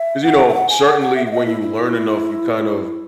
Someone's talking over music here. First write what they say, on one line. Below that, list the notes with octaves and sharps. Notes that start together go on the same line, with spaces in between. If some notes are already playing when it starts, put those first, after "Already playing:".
'cause, you know, certainly when you learn enough you kind of
Already playing: E5
F#5
E5
F#5
G#5
F#5
F#5
E5
E5
D#5
E4
E4